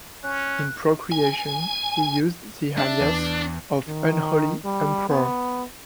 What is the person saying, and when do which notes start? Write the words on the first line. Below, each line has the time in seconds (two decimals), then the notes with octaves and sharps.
In Procreation, he used the alias of Unholy Emperor.
0.23 C#4 F#6
1.11 G#5
2.78 D4 E5
3.00 E2
3.88 D#3
4.65 G3
5.10 B3